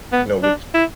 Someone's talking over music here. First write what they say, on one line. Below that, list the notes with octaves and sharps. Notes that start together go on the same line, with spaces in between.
you know, with,
B3
D4
E4